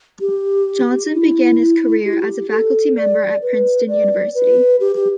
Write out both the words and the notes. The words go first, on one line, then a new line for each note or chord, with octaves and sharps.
Johnson began his career as a faculty member at Princeton University.
G4
E4
G4
E4
G4
A4
D5
B4
D5
B4
G4
G4